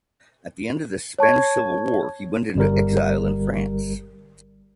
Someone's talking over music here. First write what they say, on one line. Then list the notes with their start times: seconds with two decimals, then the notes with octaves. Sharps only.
At the end of the Spanish Civil War he went into exile in France.
1.19 C#5 A5 C#6 G#6
2.55 G1 G3 A#4